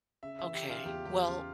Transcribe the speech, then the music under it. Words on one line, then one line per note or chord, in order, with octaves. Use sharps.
Okay. Well,
C#3 E5
E3 E5
G4
C#3 F4
E2 G4
E2 G4
C#3 F4